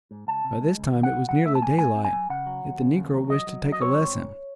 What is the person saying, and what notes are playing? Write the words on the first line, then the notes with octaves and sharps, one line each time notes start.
By this time it was nearly daylight, yet the negro wished to take a lesson.
G#2
C#2 A5
C3
G#3
C#2
D#3
F#5
C#2
F#3 F#5
A3 E5
A5
G#2 G#5
A3 G#5
C4
G#5
F#3
C#3 F#5
F#3
D#2
C#3
D#2
F#3
F#3 D#5
F#3
F#3
D#5
C4 C#5
G#2
G#2